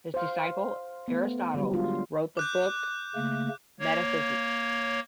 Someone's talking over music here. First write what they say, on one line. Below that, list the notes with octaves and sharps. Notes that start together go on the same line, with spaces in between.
His disciple Aristotle wrote the book Metaphysics.
C5 F5
A3 B3
D3 F#3 G3
G3 G#3 D4 F4
D6 F#6 G6
C#3 A3 A#3
A#3 C#5